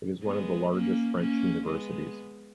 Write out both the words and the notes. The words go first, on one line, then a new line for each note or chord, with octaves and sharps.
It is one of the largest French universities.
G#3 B3
A#3 C#4
A#3 C#4
G#3 B3